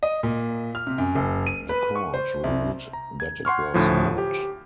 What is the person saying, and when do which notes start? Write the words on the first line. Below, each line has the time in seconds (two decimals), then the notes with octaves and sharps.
The Court ruled that it was not.
0.03 D#5
0.23 A#2
0.75 F6
0.87 C3
0.98 F#2
1.15 F#1
1.47 D#7
1.69 B4
1.95 C#6
2.14 C5
2.44 C2
2.93 A#5
3.20 G#6
3.45 F#5 C6 C#6 F6
3.74 D2 A2 F3
4.18 G4